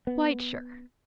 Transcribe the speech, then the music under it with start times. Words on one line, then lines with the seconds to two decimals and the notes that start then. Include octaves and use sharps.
'Quite sure.
0.07 B3